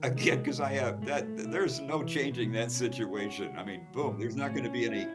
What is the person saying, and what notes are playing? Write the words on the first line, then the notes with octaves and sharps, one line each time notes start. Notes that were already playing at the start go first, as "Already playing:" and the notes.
again, 'cause I ha that there's no changing that situation, I mean, boom, there's not gonna be any
Already playing: D#3
G#3
G#2
A3
E4
E3
B2
C#4
F#4
F#3
A2
C#4
E4